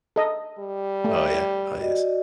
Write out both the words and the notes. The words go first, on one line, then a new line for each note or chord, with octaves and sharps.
Oh, yeah. Oh, yes.
A4 D#5
G3
A3
F#4 D5 D#5